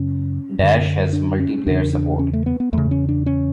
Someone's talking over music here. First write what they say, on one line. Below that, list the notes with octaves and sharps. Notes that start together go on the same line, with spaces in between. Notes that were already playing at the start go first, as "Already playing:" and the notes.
"Dash" has multiplayer support.
Already playing: F#2 C#3 C#4
F#2 D3
D4
C#4
E2 C#3 D4
D4
C#4
A3
B3
B3
E2 C#3 A3
C#4
D4
C#4